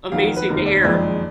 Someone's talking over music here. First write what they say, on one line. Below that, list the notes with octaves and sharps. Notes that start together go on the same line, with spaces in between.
amazing to hear.
F2 D#3 F#3 F5
A#4
B4
F1 D#2 D#3 A#4
D5
F#1 F2 D#3 G#3 D5